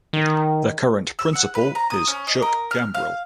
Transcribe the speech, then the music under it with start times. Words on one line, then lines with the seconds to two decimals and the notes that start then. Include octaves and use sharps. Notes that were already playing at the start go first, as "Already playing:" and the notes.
The current principal is Chuck Gambrill.
0.13 D#3
1.19 E6
1.35 F#5
1.55 B4
1.75 A#5
1.90 D#6
2.07 C#4
2.27 D#5
2.42 A#4
2.71 F6
2.94 F5